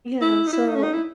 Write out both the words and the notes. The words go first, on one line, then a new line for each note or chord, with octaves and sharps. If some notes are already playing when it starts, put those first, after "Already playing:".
Yeah. So,
E4
D#4
E4
D#4
C#4
D#4
E4